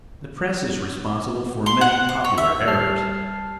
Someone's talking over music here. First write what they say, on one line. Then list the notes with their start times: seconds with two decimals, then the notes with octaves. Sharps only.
The press is responsible for many popular errors.
1.66 C6
1.81 F#5
2.09 C5
2.24 C#5
2.38 E5
2.68 G3 A5 F6 C7